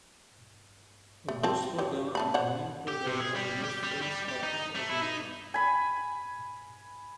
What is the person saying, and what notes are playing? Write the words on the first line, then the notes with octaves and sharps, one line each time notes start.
Auguste Rodin and Camille Claudel are the most famous sculptors of their time.
A3
C4 A#4 A5
F#3 G4
A3 A5 B5
C5 C#5 F#5
G4
C3
G#4
G3
G4
G3
G3
G4
D#4
A3
E4
D#4
G#5 B5